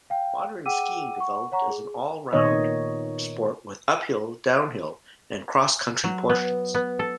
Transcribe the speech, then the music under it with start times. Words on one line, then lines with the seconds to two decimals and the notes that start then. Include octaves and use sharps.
Modern skiing developed as an all-round sport with uphill, downhill and cross-country portions.
0.10 F5 G5
0.66 G#4 F#5 G5 D6 E6 D#7
1.16 F#5 C#6
1.52 C#5 F#5 A#5 C#6
1.69 G#4
2.33 A#2 D#3 B3 D#4 C#5 D#5
6.04 F#3
6.30 B3
6.75 B3
6.99 A4